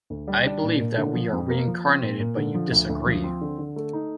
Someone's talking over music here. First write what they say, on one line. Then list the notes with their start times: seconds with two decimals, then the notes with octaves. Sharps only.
I believe that we are reincarnated but you disagree.
0.10 D2
0.28 G3
0.46 D4
0.63 A#2
0.80 A#2
0.97 D3
1.15 F3
1.33 F2
1.50 A#3
1.67 F3
1.84 C4
2.02 A#2
2.20 A#2
2.37 D3
2.54 F3
2.72 D2
2.89 D2
3.06 F3
3.24 C4
3.41 D3
3.58 D3
3.76 A3
3.93 D#4